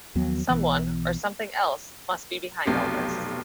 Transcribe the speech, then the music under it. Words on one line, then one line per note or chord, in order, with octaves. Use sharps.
Someone, or something else must be behind all this.
D#2 F3 F#3 B3
B1 E3 B3
F1 B1 C4 G4